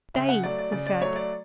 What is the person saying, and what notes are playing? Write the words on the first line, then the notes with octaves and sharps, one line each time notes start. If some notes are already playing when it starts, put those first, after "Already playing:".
"Stay!" he said.
C#3 E5
F#5
F#3 A3 D5
D5
C#3 D5
D5
F#3 A3 C#5
D5